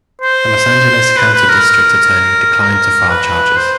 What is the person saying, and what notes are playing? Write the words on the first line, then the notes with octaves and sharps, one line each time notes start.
The Los Angeles County District Attorney declined to file charges.
C5
B4
B4
A#4
A#4
B4
C5